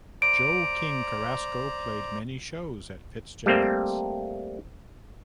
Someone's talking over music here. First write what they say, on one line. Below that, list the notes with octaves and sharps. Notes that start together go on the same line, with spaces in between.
Joe King Carrasco played many shows at Fitzgerald's.
C5 D5 A#5 D7
G3 A3 A#3 C4